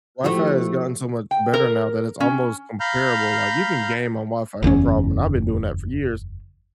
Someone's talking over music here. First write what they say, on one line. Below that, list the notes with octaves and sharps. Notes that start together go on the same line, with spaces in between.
Wi-Fi has gotten so much better now that it's almost comparable like, you can game on Wi-Fi, no problem, and I've been doing that for years.
F3 A3 E4 F#4 G4
G5
A#4
C#4
F5 A#5 B5 F6 G6
F#1 E2 A2 C#4